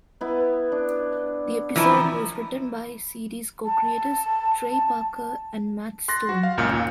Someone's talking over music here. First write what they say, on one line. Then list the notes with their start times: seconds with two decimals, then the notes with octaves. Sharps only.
The episode was written by series co-creators Trey Parker and Matt Stone.
0.21 B3 E4
0.72 D4
1.76 E3 F3 G4 A#4 E5
3.66 A5
6.08 C6 F#6 A6 A#6
6.29 F#4
6.43 F5
6.57 C#2 F#2 A#2 F6 G6 C#7
6.70 D#2 A#2